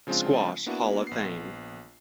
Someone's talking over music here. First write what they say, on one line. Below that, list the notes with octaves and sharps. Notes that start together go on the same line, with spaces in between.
Squash Hall of Fame.
C#3 F3 G#3 C4 D4 F4
A#3 B3 D4 E4 F#4
A#1 B3 C7